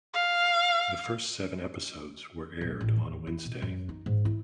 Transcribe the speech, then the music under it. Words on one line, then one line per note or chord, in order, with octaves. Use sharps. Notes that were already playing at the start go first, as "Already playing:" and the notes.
The first seven episodes were aired on a Wednesday.
F5
B1
A1
E2
E4
B2
F#2
D#4
G#2
E4